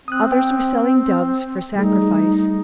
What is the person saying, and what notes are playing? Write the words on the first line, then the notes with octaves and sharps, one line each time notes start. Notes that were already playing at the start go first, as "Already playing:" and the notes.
Others were selling doves for sacrifice.
C4 D#6 F#6
G5
G3 A3 D#4 G#4